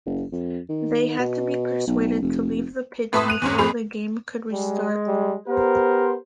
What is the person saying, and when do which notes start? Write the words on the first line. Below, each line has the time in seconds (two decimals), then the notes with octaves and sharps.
They had to be persuaded to leave the pitch before the game could restart.
0.06 F#1
0.32 F2
0.69 D#3
1.19 B2
1.87 B1
2.22 F1
3.13 A2 B4 E5 A5 C6 D#6
3.28 F#6 D#7 F7
3.42 E2 G#2 C#4
3.58 F2 G#4 B5 C6 F7
4.52 G3 G#3
5.07 G3
5.48 B3 G4 A#4 C5